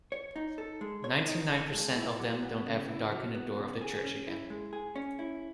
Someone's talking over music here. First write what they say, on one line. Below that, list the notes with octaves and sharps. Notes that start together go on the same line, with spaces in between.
Ninety-nine percent of them don't ever darken the door of the church again.
C#5
D#4
A4
G#3
C#5
D#4
A4
G#3
E4
F#3
B3
C#3
E4
F#3
B3
C#3
G#4
C#4
E4
G#3
G#4
C#4
E4